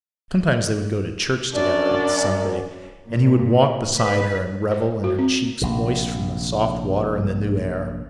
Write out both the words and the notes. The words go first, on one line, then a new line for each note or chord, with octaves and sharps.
Sometimes they would go to church together on Sunday and he would walk beside her and revel in her cheeks moist from the soft water in the new air.
F#2 C#4 D4 D5
A#2
B4
C5
F#4
C4
A#1 C3